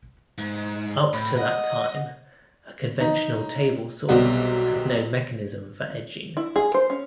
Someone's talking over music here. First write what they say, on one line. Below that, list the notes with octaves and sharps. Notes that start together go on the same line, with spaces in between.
Up to that time, a conventional table saw had no mechanism for edging.
G#2
A2 B5
D#5 F#5
D#4
B1 C3 F#3 G3 B3
E4
G#4
C5
C#4